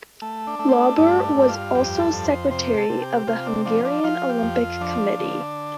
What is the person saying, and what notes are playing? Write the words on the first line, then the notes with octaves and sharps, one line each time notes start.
Lauber was also secretary of the Hungarian Olympic Committee.
A3
D4
A3
C4
D4
G2 D4
D4
G2
F4
F2 G4
A4
F2
C5
C3 C5
A4
C3
G4
C3 F4
D4
F3 D4
D4
F3 F4
G4
F2
F4
F3 D4
D3